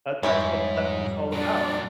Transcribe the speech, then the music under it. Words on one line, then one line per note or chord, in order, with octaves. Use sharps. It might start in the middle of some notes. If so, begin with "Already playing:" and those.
That that's how that's what it's all about
F2 G#2 G3 C#4 E4 G4
A#2 F#3 D4